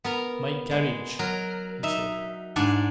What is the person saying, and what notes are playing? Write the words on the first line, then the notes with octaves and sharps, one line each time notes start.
"My carriage!" he said.
B3 A#4 A#5
G#3
F#3 A#4
D#4 E5
G#2 D4 D5 F#5 G#5